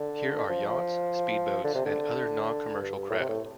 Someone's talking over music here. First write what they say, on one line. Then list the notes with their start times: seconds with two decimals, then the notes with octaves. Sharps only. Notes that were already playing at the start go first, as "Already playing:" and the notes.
Here are yachts, speedboats, and other non-commercial craft.
Already playing: D3
0.49 F3
1.64 D3
1.75 C3
1.85 D3
2.81 G2
3.10 A2
3.19 C3
3.28 A2